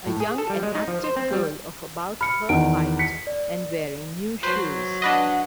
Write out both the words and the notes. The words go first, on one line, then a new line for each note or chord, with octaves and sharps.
A young and active girl of about her height, and wearing new shoes.
A2
G#4
A4
G3
G#3
D#4
F3
C5
C4
G3
B5 F6 C#7
E2 D#3 D7
B6 C#7
D5
F#3 B4 C5
D4 B4 D#5 F#5